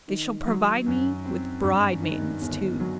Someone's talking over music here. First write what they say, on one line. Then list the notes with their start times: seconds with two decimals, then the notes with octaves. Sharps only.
They shall provide me with bride-maidens too.
0.08 D#3
0.47 F#3
0.86 F#2
1.25 C4
1.63 G2
2.03 D#3
2.41 G1
2.80 F#3